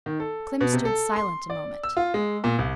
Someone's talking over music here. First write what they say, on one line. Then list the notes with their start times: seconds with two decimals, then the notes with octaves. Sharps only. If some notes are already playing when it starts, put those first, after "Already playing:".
Clym stood silent a moment.
0.06 D#3
0.20 A4
0.61 B2
0.73 C3
0.85 A4
1.16 C6
1.50 D5
1.83 E6
1.97 F4
2.14 G#3
2.44 A#2
2.59 C2